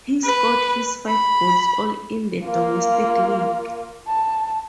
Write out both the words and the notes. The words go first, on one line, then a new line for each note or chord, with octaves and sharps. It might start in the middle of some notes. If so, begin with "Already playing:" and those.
He scored his five goals all in the domestic league.
B4
B5
A#3 F4
A5